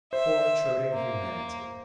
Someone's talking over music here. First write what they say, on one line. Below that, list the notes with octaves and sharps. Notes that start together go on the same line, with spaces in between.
Poor, toadying humanity!
C5 E5
A#3